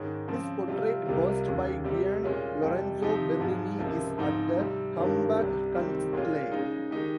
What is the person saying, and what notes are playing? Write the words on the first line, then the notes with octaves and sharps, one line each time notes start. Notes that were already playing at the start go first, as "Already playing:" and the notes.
His portrait bust by Gian Lorenzo Bernini is at the Hamburg Kunsthalle.
Already playing: G#2 D#3 G#3 C#4
C#3 F3 C4
C3 G3 C4 F4
C2 C3 G3 A#3 F4
D#2 C#3 G#3
C3 G3 C4 G4
A#2 G#3 C#4 F4
F2 C3 G3
C3 F3 C4 D#4 G4
G#2 F3 G#3
C#2 C3 F3 A#3
G#2 F3 C4 D#4
C3 G3 C4
G2 D#3 G3 A#3 C#4
C2 C3 G3
C3 D#3 G3 C4 G4
A#2 G#3 C#4 F4
C#3 G#3 D#4
D#3 G#3 D#4 G4